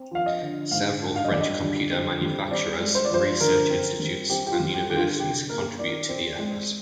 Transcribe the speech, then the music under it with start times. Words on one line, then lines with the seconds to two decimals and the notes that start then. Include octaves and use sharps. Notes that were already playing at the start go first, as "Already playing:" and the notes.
Several French computer manufacturers, research institutes and universities contributed to the effort.
Already playing: C4
0.11 F3 F5
0.26 D#5
0.41 D3
0.71 G#2 F5
1.01 D4
1.16 F5
1.24 D#5
1.31 G3 D5
1.40 D#5
1.60 D3
1.91 C4
2.21 G3
2.51 C4 D5
2.80 G#3
2.95 C5
3.05 D5
3.10 F3 C5
3.40 D3 A#4
3.70 C4
4.00 G3
4.30 C4 G4
4.46 G4
4.52 F4
4.60 G3
4.74 G4
4.90 D3 G4
4.97 F4
5.20 C3 G4
5.49 A#3 A#4
5.79 D#3 D5
6.09 C4
6.39 G#3